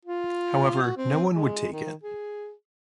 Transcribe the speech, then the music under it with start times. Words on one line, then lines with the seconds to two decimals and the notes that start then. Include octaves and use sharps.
However, no one would take it.
0.05 F4
0.81 F#4
0.97 C4
1.33 G#3
1.72 D#3
2.03 G#4